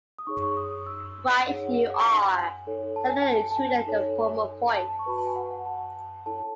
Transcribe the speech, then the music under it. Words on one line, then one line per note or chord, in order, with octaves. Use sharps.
"Right you are," said the intruder in the former voice.
D#6
D#4 G#4 C#5 C#6
C#6
D#6
E6
D#4 G#4 C#5 F#5
G#5
D#4 A4 C#5
A5
G#5
A5
A5
G#5
D#4 A4 C#5
A5
C#6
F#4 B4 B5
A5
G#5
F#5
F#5
A5
E4 A4 C#5 A5